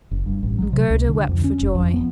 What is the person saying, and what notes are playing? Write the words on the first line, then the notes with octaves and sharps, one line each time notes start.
And Gerda wept for joy.
F#1
G2
A1
F#3
C3
C#2
D3
F2
C#4
F#1
F2
B3